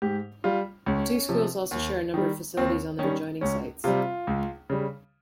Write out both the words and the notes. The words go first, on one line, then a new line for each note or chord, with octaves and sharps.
The two schools also share a number of facilities on their adjoining sites.
G#2 G4
G3 F4
C#2 C#4
C3 F3
D#2
D#3 G3
D#2 C4
D#3 G3 C#4
C#2 C#4
C3 G3 F4
C#2
C#3 G3